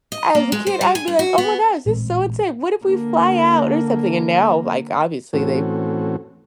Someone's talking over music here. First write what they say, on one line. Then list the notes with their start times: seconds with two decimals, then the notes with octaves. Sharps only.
as a kid, I'd be, like, "oh, my gosh. This is so insane. What if we fly out or something"? And now, like, obviously they,
0.12 D#5
0.35 A#3
0.52 G#3
0.67 C5
0.81 G3
0.95 G#5
1.08 G2
1.19 F#4
1.38 B3
1.86 A1 A#2 G#3 C4
2.85 D3 A#3
5.34 A2 E3 A3 C4 C#4 F#4